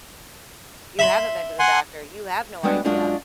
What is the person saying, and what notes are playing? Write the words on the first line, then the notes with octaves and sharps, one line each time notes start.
You haven't been to the doctor, you have no idea,
E5 B5 C6
F#5 G#5 C6
G3 G#3 B3 D4 F#4
F#2 G#3 D4 F4 F#4